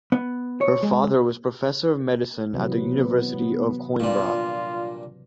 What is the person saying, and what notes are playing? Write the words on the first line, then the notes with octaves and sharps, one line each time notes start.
Her father was professor of medicine at the University of Coimbra.
B3
C#5
G#3
C3 E3 F#3 B3
G2 A#2 F4